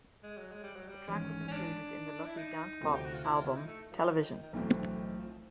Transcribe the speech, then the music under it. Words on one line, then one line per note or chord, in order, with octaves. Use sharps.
The track was included in the lucky dance-pop album "Television".
G#3
F#3
G#3
G3
F#3
G3
A1 G#2 D#3 C#4
C#4
D4
E4
D#4
D2 C3 F3 A3 C4
G4
F#4
F4
E4
F4
E4
D#4
A3
F3
F#3
F3
D#3
D#3
D#3
B1 A2 D3 E3 A3 C4
D#3
F3